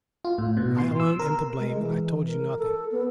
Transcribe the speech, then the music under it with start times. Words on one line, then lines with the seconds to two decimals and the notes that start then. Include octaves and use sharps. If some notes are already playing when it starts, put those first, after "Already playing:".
I alone am to blame, and I told you nothing.
0.25 F4
0.38 A2
0.57 B2
0.79 C6
1.00 E6
1.19 A#4
1.60 G#3
1.79 E3
2.27 A#4
2.59 A4
2.92 B3